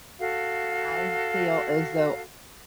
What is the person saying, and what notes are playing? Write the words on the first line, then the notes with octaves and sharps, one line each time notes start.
I feel as though,
F#4 A4 F5